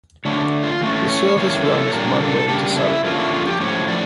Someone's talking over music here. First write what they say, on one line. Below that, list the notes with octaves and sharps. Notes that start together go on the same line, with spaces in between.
The service runs Monday-Saturday.
D3 A3 D4 C#5
F4
E3 A3 C#4
C#5
E3 G3 A#3 C#4 C#5
A4
C#5
A#2 G3 A#3 D4 A#4
A4
C#3 G3 A#3 D4 G4
E4
D3 F3 A#3 C#4 F4
E4
F4
G4
A2 F3 C#4 C#5
D5